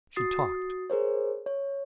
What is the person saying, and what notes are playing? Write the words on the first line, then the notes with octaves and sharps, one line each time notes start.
She talked.
F#4 D#6 A6 C7
G#4 A#4 C5 C#5
C#5